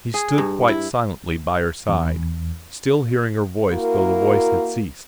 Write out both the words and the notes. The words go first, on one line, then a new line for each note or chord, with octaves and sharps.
He stood quite silently by her side, still hearing her voice though the voice had ceased.
G#4
G2
E4
E2
A#3 E4 F#4 A#4